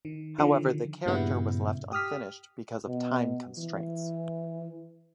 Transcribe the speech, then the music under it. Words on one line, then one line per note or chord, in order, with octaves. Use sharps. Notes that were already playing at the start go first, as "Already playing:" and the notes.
However, the character was left unfinished because of time constraints.
D#3
D3 D#3 F3
G2 A#2 C#3 G3 B3 E4
G4 D#6 F6 B6
B2
E3